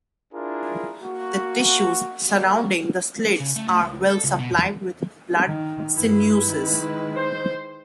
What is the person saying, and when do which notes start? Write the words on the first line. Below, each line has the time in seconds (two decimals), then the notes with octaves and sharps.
The tissues surrounding the slits are well supplied with blood sinuses.
0.33 D4 E4 F4 G#4 A#4
1.02 A#3 F#4
2.28 G3 A#3 C#4 F#4
3.40 C#3
3.56 A3
3.67 A2
3.81 C#2
4.09 A4
4.24 C#2
4.39 B2
4.51 E2
5.44 D#3
5.95 G2 E4 B4
6.50 D#3 G#3
7.16 C5